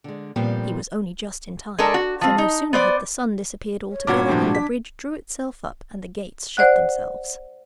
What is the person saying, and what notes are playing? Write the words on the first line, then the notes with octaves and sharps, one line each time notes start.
He was only just in time, for no sooner had the sun disappeared altogether, than the bridge drew itself up and the gates shut themselves.
D3 G#3
A#2 F3 G3 B3 C4
G#3 D4 A4 A#4
F#4
F3 C4
D#4
B3 C5 D5
C#5
G2 A#2 F#4 D6 G#6
A2 C3 F3 D4
B6
C5 D5 F#5 F#6